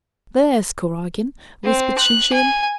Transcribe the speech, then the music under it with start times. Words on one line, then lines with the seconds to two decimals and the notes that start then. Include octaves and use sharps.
"There's Kuragin!" whispered Shinshin.
1.64 C4
1.98 F#6
2.33 G#5